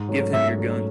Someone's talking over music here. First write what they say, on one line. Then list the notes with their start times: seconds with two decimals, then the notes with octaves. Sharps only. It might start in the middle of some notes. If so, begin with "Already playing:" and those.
Give him your gun.
Already playing: G#2
0.09 F#3 A3 C#4
0.33 G#2 E5
0.58 F#3 A3 C#4